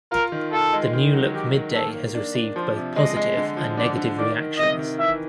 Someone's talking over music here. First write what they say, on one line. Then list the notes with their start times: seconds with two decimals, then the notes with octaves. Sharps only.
The new look Mid-Day has received both positive and negative reactions.
0.12 F4 A#4
0.32 D#3
0.52 F4 A4
0.73 G#3
0.93 D#3
1.14 F#3
1.34 D#3 G4
1.54 D#3
1.74 A#3 A4
1.94 A#3
2.15 D4
2.35 D4
2.56 F3 C5
2.76 C3
2.96 G#3 D#5
3.16 G#3
3.37 D3
3.57 F3
3.77 D3 D5
3.98 D3
4.18 D#3 D5
4.38 D#3
4.58 C3 D#5
4.79 D#3
4.99 E3 E5